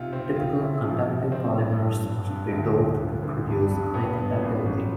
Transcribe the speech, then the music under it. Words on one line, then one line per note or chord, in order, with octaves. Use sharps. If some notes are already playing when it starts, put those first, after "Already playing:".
Typical conductive polymers must be "doped" to produce high conductivity.
Already playing: B1 C3 F4
C4
F4
E4
F3
C3
C4
G2
G2
G2
G2
D2
D2
D2
D2
G2
G2
B3
B3
A1
A1